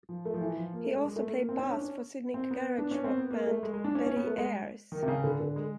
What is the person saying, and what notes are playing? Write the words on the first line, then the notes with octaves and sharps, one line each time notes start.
He also played bass for Sydney garage rock band Betty Airs.
F3
A3
F3
E3
F3
A#3
A3
G#3
G#3
A3
A#3
A#3
C4
C#4
D4
C#4
C4
B3
D4
C#4
C4
B3
A#3
A3
G#3
G#3
D4
C#4
C#4
B3
A3
G#3
D#3
C3
C#3
D3
D3
G#3